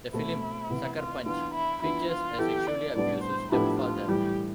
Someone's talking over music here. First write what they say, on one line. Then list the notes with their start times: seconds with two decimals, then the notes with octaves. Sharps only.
The film, "Sucker Punch" features a sexually abusive stepfather.
0.13 B2 A3 C4 E4
0.70 C3 E3 B3
0.97 F4
1.26 E3 B3 D4 F4
1.54 E4
1.82 E3 B3 D4 E4 F4
2.11 F4
2.39 E3 B3 E4 G4 A4
2.67 D5
2.95 A2 G3 B3 D4 D5
3.24 C5
3.52 A2 F3 B3 D4 E4 G4
3.80 F4
4.08 A2 E3 G3 G4